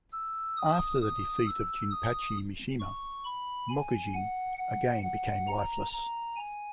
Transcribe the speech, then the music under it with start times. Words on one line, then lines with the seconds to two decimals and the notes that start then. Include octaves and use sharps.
After the defeat of Jinpachi Mishima, Mokujin again became lifeless.
0.12 E6
0.57 D#6
1.01 D#6
1.46 E6
1.91 D#6
2.80 C#6
3.24 B5
3.69 G#5
4.14 F#5
4.58 F#5
5.03 F#5
5.47 A#5
5.92 A#5
6.36 G#5